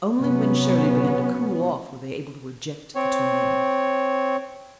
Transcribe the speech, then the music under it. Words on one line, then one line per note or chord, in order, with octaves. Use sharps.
Only when Shirley began to cool off were they able to eject the two men.
C3 F#3 B3 C#4
C4 C#5